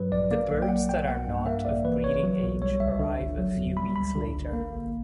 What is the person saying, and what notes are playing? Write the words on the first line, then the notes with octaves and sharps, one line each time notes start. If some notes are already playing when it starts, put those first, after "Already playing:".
The birds that are not of breeding age arrive a few weeks later.
Already playing: G2 F#3 B4
A#1 D5
A#3 D5
B1
G5
F#3 F#5
B1 G5
A#3 F#5
G2
A#3 E5
A#1 D5
E3 B4
G1 C#5
F#3
B1
G3 C#5
C#2 E5
D3
G1
F#3
E2
G3 B5
C#2 B5
D3
G1
A#3
A#1